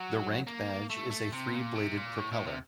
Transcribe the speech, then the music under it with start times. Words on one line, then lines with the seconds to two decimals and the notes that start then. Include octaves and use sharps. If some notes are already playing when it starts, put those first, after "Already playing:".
The rank badge is a three-bladed propeller.
Already playing: F#3
0.47 A#3
0.90 A3
1.11 A3
1.32 C3
1.54 A#2
1.75 C3
1.97 A#2
2.18 A2
2.32 A2
2.47 C3